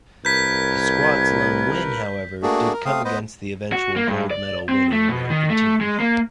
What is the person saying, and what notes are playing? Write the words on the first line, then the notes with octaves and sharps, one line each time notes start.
The squad's lone win, however, did come against the eventual gold medal-winning American team.
C2 A#4 B4 G6 G#6 B6
A3 A#3 D4 F#4 G#4
A#4
A3 C4 F5 D#6
B3 B4 C5 D#5
F#4
A#3
G2
D5
C4
A3
B2
D#3
A3
G#3
A#3